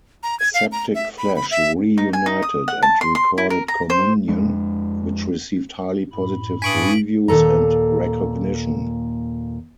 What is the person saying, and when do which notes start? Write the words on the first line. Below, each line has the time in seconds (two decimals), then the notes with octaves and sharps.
Septic Flesh reunited and recorded Communion, which received highly positive reviews and recognition.
0.23 A#5
0.40 G#6
0.54 F5
0.72 A#5
0.95 E5
1.18 B5
1.36 B5
1.51 E5
1.98 D#4
2.13 G#5
2.26 D#4
2.42 D#6
2.68 F#5
2.83 A5
3.01 C6
3.15 C6
3.38 E4
3.50 A#4
3.68 A#5
3.90 C5
4.28 F2 G#3 D4
6.12 F#2 A2 B5
6.62 G2 G#5 C#6 D#6 B6 D7 F#7
7.28 D#2 A#2 E3 A4 A#5